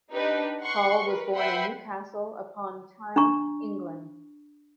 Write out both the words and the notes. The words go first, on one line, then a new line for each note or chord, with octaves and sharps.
Hall was born in Newcastle upon Tyne, England.
D4 D#4 G4 B4
F#5 C6 C#6
A#4 B4
B4 E5 F#5 G5 B5 C6
D4 A#5 C#6